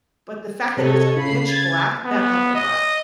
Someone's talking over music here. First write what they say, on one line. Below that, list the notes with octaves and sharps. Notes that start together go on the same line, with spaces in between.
but the fact that it was pitch black, that helped a lot.
C3 A4 C#5 D#5
C#3 B5 C7
G#6 A6
B3
D#5